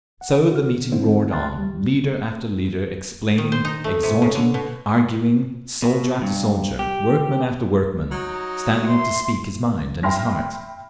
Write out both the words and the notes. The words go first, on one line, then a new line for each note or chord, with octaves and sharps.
So the meeting roared on, leader after leader explaining, exhorting, arguing, soldier after soldier, workman after workman, standing up to speak his mind and his heart....
F#5
F#4 F6
D3
G#2 D3 G#3 C4 D#4 E4
G5 A5 C6 F6 F#6 A6
D#2 G3
D#3
C5
D#4
A3
C3
C#3
D3
B2
B2
G2
G4
F#3 D#4
E5 C6
E5 G5 B5 C6 F6 A#6